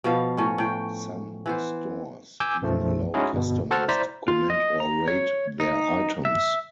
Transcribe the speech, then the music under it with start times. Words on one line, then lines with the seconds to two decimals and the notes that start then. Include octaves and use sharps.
Some stores even allow customers to comment or rate their items.
0.04 B2 F3 B3 F5
0.37 A2 C#4
0.58 A2 G5
1.46 E3 B3 C5
2.40 G#5 D6 E6 G6
2.62 B1 F#2 F3 A3
3.14 G#3 C#4 D#4 E4 F#4 G#4
3.33 G1 B2
3.71 F#4 A4 C5 F#5 A5 F6
3.88 E4 C5 D5 A#5 B6
4.28 F4
4.50 D#5
4.80 A#5
5.08 C#5
5.60 D#4
6.25 E5